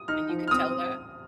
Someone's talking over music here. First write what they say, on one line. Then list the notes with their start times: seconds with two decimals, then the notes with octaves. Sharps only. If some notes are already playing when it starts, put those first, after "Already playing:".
and you could tell that?
Already playing: D#6
0.08 D#4 F6
0.29 F3
0.48 F6
0.51 C4 D#6